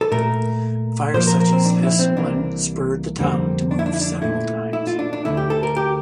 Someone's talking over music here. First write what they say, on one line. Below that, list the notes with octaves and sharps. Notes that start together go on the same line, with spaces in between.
Fires such as this one spurred the town to move several times.
A4
A#2 A3 A#4
A#2 F3 A#3 C5
A#4
A#4
C4
D4
E4
C4
C2 C3 E3 A#3 D4
F2 D3 G3 A#3 C4
D4
E4
D4
E4
D4
A#2 A3 E4
E4
F4
D4
D4
D2 D3 A3 E4
G4
A4
A#4
G4